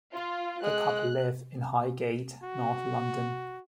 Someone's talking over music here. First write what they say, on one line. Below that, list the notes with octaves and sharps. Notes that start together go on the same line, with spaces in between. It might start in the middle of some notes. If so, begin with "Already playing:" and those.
The couple live in Highgate, North London.
F4
G#3 F#6
F#4